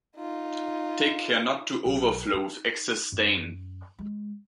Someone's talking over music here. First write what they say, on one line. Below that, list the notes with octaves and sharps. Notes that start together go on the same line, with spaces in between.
Take care not to overflow with excess stain.
D#4 F4
B1
D#4
F#2
G#3